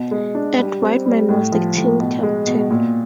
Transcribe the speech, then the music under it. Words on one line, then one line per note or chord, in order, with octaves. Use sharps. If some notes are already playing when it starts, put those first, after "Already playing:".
Ed Whiteman was the team captain.
Already playing: B2
G#3
D4
G3
C4
G3
A2
F3
A2
B2
G#3
B2
A#2